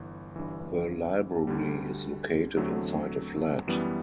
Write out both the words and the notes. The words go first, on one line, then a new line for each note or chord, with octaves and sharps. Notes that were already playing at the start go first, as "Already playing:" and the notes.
The library is located inside a flat.
Already playing: G1 E3
G1 G2 E3
D2 D3 G3
E2 D3 F#3 A3 C4
F#2 E3 G3 B3